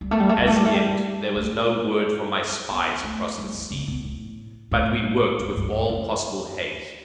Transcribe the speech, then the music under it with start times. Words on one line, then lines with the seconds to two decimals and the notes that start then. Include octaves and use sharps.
As yet there was no word from my spies across the sea; but we worked with all possible haste.
0.01 G3
0.11 A3
0.20 G3
0.29 A3
0.38 G3
0.48 A3
0.56 G3
0.65 A3
0.75 G3
1.36 A3
2.70 B3
3.03 A3
3.38 G3
3.54 G3
3.71 C#3
3.88 B2
4.05 A2
4.71 A2
5.40 G2
5.56 G2
5.72 F#2
5.89 F#2